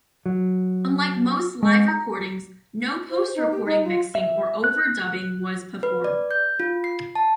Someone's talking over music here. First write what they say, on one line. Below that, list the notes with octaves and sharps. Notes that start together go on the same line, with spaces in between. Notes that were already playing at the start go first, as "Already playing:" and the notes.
Unlike most live recordings, no post-recording mixing or overdubbing was performed.
F#3
G#3
A#5
C5
D#4
G4
D#4
F4
E5
F#6
B4
D5
G6
F4
C7
A5